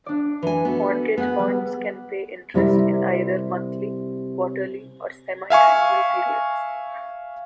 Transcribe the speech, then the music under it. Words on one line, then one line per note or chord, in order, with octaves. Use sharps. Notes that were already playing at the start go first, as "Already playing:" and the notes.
Mortgage bonds can pay interest in either monthly, quarterly or semiannual periods.
D4 D5
E3 G#5
B3 F#4 A4
B3 G#4 F#5
G3
C3 G3 E4 A#4
E5 F5 G#5 C#6